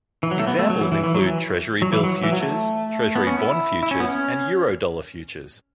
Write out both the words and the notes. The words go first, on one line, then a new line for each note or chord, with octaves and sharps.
Examples include Treasury-bill futures, Treasury-bond futures and Eurodollar futures.
E3
F#3
A3
B3
A3
F#3
E3
E3
E3
F#3
E3
F#3
E3
F#3
E3
F#3
A3
B3
C#4
E4
E4
C#4
B3
C#4